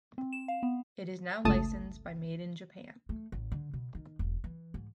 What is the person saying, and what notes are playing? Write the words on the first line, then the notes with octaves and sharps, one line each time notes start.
It is now licensed by Maiden Japan.
C4
E7
F5
B3
G1 C#2 A3 A5 D#6
A3
A1
D3
B2
D#3
E1
E3
G#2